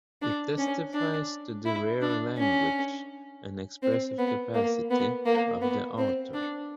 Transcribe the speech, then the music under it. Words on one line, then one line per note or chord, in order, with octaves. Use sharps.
It testifies to the rare language - and expressive capacity - of the author.
D4
C#4
D4
E4
D4
C#4
C4
B3
A#3
B3
A#3
B3
C4
D4